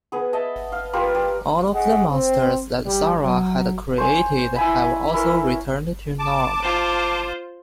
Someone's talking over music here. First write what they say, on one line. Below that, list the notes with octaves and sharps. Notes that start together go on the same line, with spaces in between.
All of the monsters that Sarah had created have also returned to normal.
B3 G#4
D#5 E5 A5
F5
F4 G4 A#4 B4
G3
G#4 D#5 F#5
C4
G3
F#3
C5 C#5 G#5
E4 G#5 B5
E4 A#4 B4 C#5
A5 D6
F4 C5